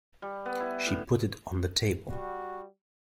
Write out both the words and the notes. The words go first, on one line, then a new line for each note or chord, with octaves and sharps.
She put it on the table.
G3
B3
E4
A2
G3 F#4